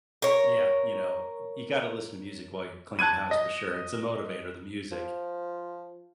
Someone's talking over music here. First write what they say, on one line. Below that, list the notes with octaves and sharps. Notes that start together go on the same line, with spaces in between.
Yeah, you know, you gotta listen to music while you're cleaning the house for sure, it's a motivator, the music.
A#4 C#5
A5 F#6 G#6 D#7
D#5
F3